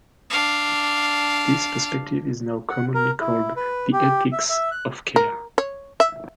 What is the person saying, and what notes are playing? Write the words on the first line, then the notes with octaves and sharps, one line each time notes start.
This perspective is now commonly called the ethics of care.
D4 F5
F#5
A#4
E4
B4
G4
E5
E5
F#6
A#4
C#5
E5